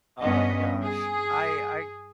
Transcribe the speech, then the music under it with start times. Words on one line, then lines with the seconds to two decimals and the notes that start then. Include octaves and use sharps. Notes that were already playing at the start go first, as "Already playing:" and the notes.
Oh, my gosh. I I
0.20 G2 B3 C#4 D#5
0.82 G#4